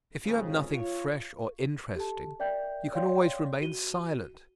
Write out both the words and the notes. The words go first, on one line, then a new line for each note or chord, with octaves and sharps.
If you have nothing fresh or interesting you can always remain silent.
G#1 F2 C#3
F4 C#5
G4 A4 A5
A#4 D5 E5 G5 G6
C#5 D5 F5 G5 C6 G6
F#4 D#7 G7